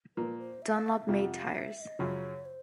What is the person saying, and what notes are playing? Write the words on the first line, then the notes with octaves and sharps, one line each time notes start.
Dunlop made tyres.
A#2 F3 A#3 B4
C5
E5
F5
F5
E5
F2 C3 F3 F5
F#5
F5
E5
E5
D#5
F#2 C#3 F3 C#5
C5